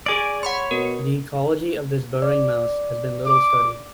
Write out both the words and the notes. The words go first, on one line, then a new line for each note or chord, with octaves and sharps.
The ecology of this burrowing mouse has been little studied.
G#4 D5 G#5 D7
C#5 F#5 B5 C6
B2 A#4
D5
D6